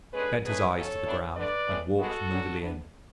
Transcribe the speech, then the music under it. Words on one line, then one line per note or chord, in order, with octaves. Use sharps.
He bent his eyes to the ground, and walked moodily in.
D3 G#3 C#4 G#4 B4
B2 F#3 A3 C#4 G#4 B4
C#3 F#3 C#4 A4 C#5
E3 B3 D4
D3 A3 D4 B4 D5
A2 G#3 C#4
B2 G#3 B3 F#4 A4
D3 F#3 C#4
E3 B3 D4